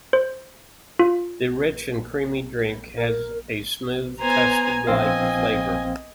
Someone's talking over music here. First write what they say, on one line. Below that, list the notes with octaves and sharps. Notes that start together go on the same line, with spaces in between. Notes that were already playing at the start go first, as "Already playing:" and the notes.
The rich and creamy drink has a smooth, custard-like flavor.
C5
F4
A#4
B3 C5 G#5 A#5
A#1 C4 D#5 F5 G#5